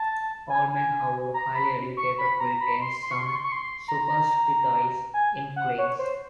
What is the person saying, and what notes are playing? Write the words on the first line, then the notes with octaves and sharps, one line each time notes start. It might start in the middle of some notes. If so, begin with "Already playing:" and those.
All men, however highly educated, retain some superstitious inklings.
Already playing: A5
G#5
G#5
A#5
B5
C#6
B5
A#5
B5
C6
C6
C#6
C6
C#6
C6
C#6
C6
A#5
A#5
G#5
F#5
C#5
C5